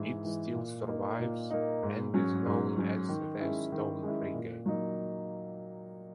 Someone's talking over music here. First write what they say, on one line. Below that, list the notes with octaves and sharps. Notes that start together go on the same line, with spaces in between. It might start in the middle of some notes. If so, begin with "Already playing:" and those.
It still survives, and is known as the Stone Frigate.
Already playing: G#2 E3 G#3
E3 G#3
A#2
A#3 D#4
A#2
A#3 D#4
G#2
F#3 C#4
G#2
F#3 C#4
D#3
G#3 C#4 E4
D#3
G#3 C#4 E4
A#2
F#3 A#3 D#4